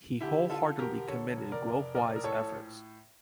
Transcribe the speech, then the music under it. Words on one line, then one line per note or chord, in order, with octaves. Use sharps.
He wholeheartedly commended Guo Huai's efforts.
D3 E4 G4
D3 F4 A4
E1 G4 A#4
D3 A4 C#5
F1
A#4 D5
F1
A#1 A#4 D5
A#4
A2 A4 C#5